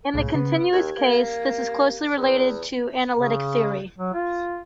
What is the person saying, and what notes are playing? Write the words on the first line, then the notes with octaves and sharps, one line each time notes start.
In the continuous case, this is closely related to analytic theory.
C2 A2 C#3
C#3 B3
D#2 G4 G#6
A#3
E2
C#3
F#3
F4